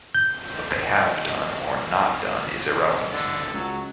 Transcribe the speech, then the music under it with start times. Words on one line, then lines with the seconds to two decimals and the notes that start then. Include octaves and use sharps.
What they have done or not done is irrelevant.
0.15 G6
3.12 D3 A4
3.54 C#2 F#3